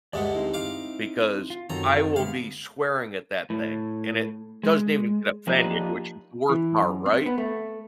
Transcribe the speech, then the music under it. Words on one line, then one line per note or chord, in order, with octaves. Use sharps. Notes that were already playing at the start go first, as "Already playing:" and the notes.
because I will be swearing at that thing. And it doesn't even get offended, which is the worst part, right?
D2 G2 G#3 D5 E5 F#5
C4 D#4 E4
F5 D6
F4
F#2 D#3 C4 A4 A#5
D3 G#3 B3 F5
A2
G#3
F3 A#3 D4 D#4 F4 G4
E3
F#2
C4
B3
A3